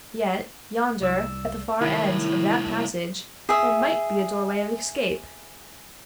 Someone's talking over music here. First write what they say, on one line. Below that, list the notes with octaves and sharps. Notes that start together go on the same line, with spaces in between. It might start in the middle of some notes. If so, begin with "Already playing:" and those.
Yet, yonder, at the far end of that passage there might be a doorway of escape!
C2 D5 E6
C2 A2 D#3 E4
G#4 E5